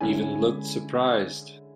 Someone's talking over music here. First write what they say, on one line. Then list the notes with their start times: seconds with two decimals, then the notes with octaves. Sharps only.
Even looked surprised.
0.01 D3 G#3 C#4 E4 G#5